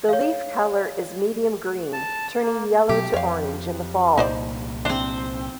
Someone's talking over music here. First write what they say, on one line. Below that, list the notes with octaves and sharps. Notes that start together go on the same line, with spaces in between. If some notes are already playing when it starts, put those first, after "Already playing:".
The leaf color is medium green, turning yellow to orange in the fall.
C#5 F5
A5
A#3
B2 F#3 G4
F2 C#5 F5
C2 A#2 D#4 C5 D5
C4 D4 E4 C5